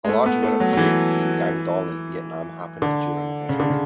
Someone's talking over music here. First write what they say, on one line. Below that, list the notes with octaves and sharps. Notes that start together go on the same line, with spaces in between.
A large amount of trade between Guangdong and Vietnam happened during his reign.
G#3
A3
B3
A3
F#3
F#3
E3
D3
C#3
D3
C#3